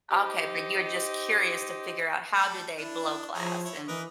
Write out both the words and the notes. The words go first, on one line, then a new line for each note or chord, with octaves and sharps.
Okay, but you're just curious to figure out how do they blow glass and
D#4 G4 C5 D#5
G3 A3 A4
D4 E4
F3 E4 G#4 C#5
E4 C#5
E3 A#4 B4 D#5